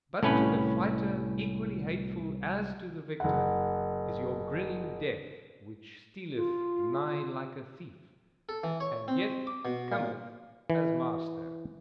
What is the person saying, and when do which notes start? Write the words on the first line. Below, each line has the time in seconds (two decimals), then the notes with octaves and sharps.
But to the fighter equally hateful as to the victor, is your grinning death which stealeth nigh like a thief,--and yet cometh as master.
0.23 C2 A2 C#4 B4
3.20 F#1 F#5
6.36 F4
8.49 A4
8.64 E3
8.80 C#5
9.08 C4
9.47 D6
9.65 B2
9.92 A#2
10.70 E3